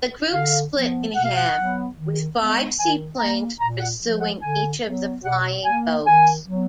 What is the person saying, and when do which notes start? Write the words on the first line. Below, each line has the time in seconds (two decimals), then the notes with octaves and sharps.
The group split in half, with five seaplanes pursuing each of the flying boats.
0.32 D3 F5
0.73 F3 B3
1.14 B2 F#5
1.24 F5
1.35 F#5
1.55 F#3 B3
1.95 D#3
2.36 G#3 B3
2.78 D#3 G#5
3.18 A#3 A#5
3.60 A#2 A#5
3.80 F#5
4.00 F3 G#3
4.20 F#5
4.41 D3 G#5
4.82 F#3 B3
5.23 B2 F#5
5.64 A#3 G#5
6.05 D#3 G#5
6.46 F#3 B3